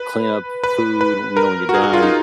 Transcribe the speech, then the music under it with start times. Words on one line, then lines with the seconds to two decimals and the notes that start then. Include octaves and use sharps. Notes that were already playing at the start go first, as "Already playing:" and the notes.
clean up f food, you know, when you're done,
Already playing: B4
0.64 B4
1.01 B4
1.37 A#4
1.69 F#4
1.74 G#4
1.83 F#4
1.93 F4
2.03 D#4